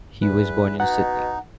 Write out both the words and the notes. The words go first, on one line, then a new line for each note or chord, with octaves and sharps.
He was born in Sydney.
E2 B4
B2 D#4 F#5